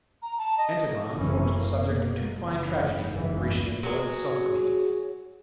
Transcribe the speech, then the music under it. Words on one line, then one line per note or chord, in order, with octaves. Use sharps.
Antigone forms the subject of two fine tragedies of the Grecian poet Sophocles.
A#5
A5
D#5
D#5
F#1 F#2 E3 A3 C#4
A#3
B2
F#1 E3 B3
F#1 C#2 G#2 E3
F#3 G#4